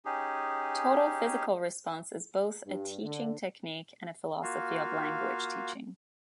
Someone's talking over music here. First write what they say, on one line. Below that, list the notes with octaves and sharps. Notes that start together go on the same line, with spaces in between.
Total physical response is both a teaching technique and a philosophy of language teaching.
C#4 D#4 G4 G#4
G2
D3
A#3 F4 F#4 F5